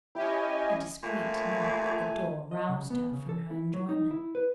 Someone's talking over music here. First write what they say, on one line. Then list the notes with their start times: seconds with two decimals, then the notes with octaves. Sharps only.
A discreet knock at the door roused her from her enjoyment.
0.15 C#4 E4 G4 D#5 G#5
1.03 A#2 A3 G#5
2.51 D#5
2.69 C#3
2.90 B3
3.12 C#3
3.29 A4
3.51 E4
3.74 F#3
3.89 D#4
4.11 E4
4.35 B4